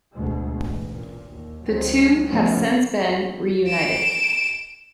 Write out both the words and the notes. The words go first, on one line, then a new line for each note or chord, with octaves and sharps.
The two have since been reunited.
D2 B2 G#3
A1
A#2
D#2
D2 F#3 G#3 C4
A2 C#3 F3 A3 B3 C#4
D7 E7